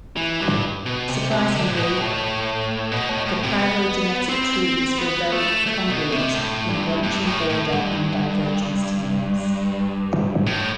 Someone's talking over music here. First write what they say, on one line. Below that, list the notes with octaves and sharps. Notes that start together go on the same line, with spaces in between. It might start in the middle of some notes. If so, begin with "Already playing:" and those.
Surprisingly, the phylogenetic trees were very congruent in branching order and divergence times.
E3
G2
B2
C3
C3
D3
A2
B2
A2
B2
A2
A2
C3
B3
C4
B3
A3
A3
B2
C3
A2
G2
G2
A2
A2
G2
A2